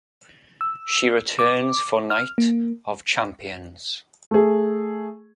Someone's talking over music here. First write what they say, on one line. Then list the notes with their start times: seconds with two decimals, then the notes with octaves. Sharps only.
She returns for Night of Champions.
0.61 E6
1.39 D6
2.10 F6
2.38 A#3
4.31 A3 G#4